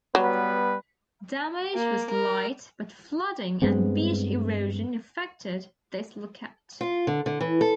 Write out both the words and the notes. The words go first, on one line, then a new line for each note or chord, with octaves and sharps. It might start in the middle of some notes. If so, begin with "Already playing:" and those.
Damage was light but flooding and beach erosion affected this lookout.
F#3 G3 B3 B4
A#3
A#4
G2 G#3 B3 C4
F4
D3
D3
E3
A4